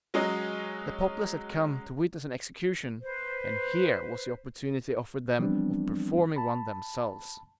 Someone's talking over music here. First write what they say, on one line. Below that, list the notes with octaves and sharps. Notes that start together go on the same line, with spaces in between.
The populace had come to witness an execution, and here was an opportunity offered them of performing one themselves.
F#3 G#3 C#4 D#5
B4 C5
E3 F3 G3 B3 C4 D4
A5 B5